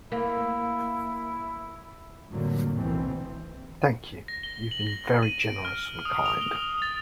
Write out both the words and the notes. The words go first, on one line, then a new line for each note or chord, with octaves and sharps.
Thank you, you've been very generous and kind!
A#3 E4
F2 A2 D3 F#3 G3 A#3
B1 B2 D#3 E3 A3 C4
A#6
G7
F#7
A#6
D#7
D7
F6
D#6
F7
G7
D#6
A6